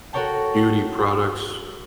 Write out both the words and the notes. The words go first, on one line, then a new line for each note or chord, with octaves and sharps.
beauty products,
F#4 A4 A#4 C#5 G5 A5